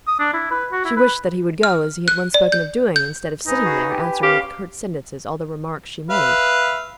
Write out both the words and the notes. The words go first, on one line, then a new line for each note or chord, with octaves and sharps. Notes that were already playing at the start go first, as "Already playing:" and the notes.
She wished that he would go, as he had once spoken of doing, instead of sitting there, answering with curt sentences all the remarks she made.
D#6
D4
E4
B4
F#4
E4
B4
F6
F#6
D5
G6
G6
G#2 D#4 B4 G#5
F#4 G#4
G4
C#4 G4 F5
B4 E5 F5